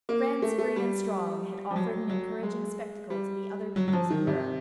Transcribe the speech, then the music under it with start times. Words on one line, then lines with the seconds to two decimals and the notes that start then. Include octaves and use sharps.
France free and strong had offered an encouraging spectacle to the other peoples of Europe.
0.09 A#3
0.42 A3
0.58 A3
0.76 G3
1.71 F3
1.76 F#3
2.10 F#3
2.43 G#3
3.10 G3
3.76 F#3
3.88 F#3
3.93 F3
4.10 D#3
4.27 C3